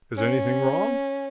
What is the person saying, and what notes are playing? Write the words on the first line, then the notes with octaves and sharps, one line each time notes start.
"Is anything wrong?"
C#4